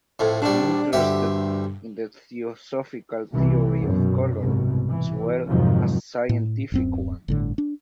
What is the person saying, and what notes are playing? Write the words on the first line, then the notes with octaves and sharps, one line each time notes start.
He interested in the Theosophical theory of colour as well as scientific one.
F2 A2
A#1 G3 D4
D2 G2 G4 E5
C2 C3 E3
F#2 B2
C2 G#2 B2
E3
F2 G#2 C3 D#3 F3 F#3
A2
D1 F#2 C4
G1 A2 D3
D4